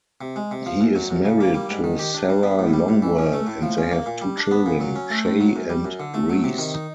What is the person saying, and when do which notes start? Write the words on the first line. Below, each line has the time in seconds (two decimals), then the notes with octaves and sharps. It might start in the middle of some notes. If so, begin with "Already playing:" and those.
He is married to Sarah Longwell, and they have two children, Shaye and Reece.
0.21 C3
0.36 G#3
0.51 C3
0.66 F3
0.81 F#2
0.95 F#3
1.11 F#2
1.25 C#3
1.40 A#3
1.54 G3
1.69 G#2
1.84 D#3
1.99 G4
2.14 D4
2.29 G3
2.43 B3
2.59 A2
2.73 G3
2.88 A2
3.02 E3
3.18 C#4
3.33 A3
3.47 A2
3.62 F3
3.78 C#4
3.91 A#3
4.06 A#2
4.22 G3
4.37 D4
4.51 B3
4.66 A#2
4.80 F#3
4.96 C#4
5.10 A3
5.26 A2
5.41 F#3
5.56 F#2
5.70 G3
5.85 F#2
6.00 D3
6.14 A3
6.30 F#3
6.44 C3
6.58 D#3
6.74 D#4